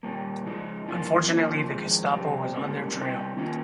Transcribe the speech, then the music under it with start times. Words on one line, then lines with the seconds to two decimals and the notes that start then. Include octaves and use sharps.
Unfortunately, the Gestapo was on their trail.
0.03 A#2 G3 A#3
0.45 C#3 F3 G#3 D#4
0.86 G2 F3 A#3 F4
1.28 A#2 F3 A#3 C#4
1.70 F2 D#3 G#3
2.11 F2 C3 G3 C4
2.53 G#2 G3 A#3 C#4
2.94 C3 G3 C4 D#4
3.37 D#3 A#3 C#4 F4